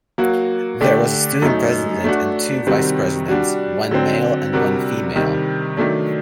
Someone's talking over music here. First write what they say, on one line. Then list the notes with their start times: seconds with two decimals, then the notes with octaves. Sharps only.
There was a Student President and two Vice-Presidents, one male and one female.
0.18 F#3 A#3 F#4
0.81 D3 A3 D4 G4 D5
1.42 F#2 F#3 A3 D#4
2.04 A3 D4 F#4
2.67 C3 D#3 G3 C4 F#4
3.28 G3 D4 F#4
3.91 D3 F#3 C4
4.53 C3 G3 D4 F#4 A#4
5.15 C3 D#3 G3
5.77 D#3 F#3 A3 D4